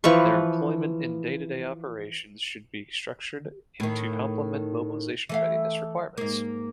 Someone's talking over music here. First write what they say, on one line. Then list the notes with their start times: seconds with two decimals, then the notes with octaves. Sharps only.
Their employment in day-to-day operations should be structured to complement mobilization readiness requirements.
0.04 E3 F3 B4 C#6
3.80 A2 D#3
5.29 E3 A3 F5
6.18 G#2 A#3